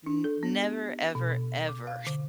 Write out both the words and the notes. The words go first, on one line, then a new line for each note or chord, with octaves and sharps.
n never ever, ever
D4
A4
B3
G4
B2
D6
F5
D3